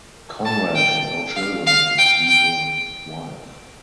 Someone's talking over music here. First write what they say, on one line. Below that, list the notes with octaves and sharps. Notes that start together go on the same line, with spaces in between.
Conrad had no children with either wife.
A5
G5
F5
F5
G5
G5